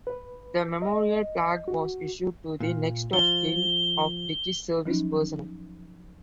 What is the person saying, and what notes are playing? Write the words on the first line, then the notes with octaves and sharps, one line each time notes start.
The Memorial Plaque was issued to the next-of-kin of deceased service personnel.
B4
D#5
F#4
A#2
F3 G7
F3 F#3 C#4 D#4